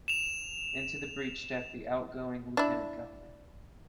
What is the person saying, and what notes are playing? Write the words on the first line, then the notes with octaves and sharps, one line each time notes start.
Into the breach stepped the outgoing lieutenant governor.
E7 F7
D4 E4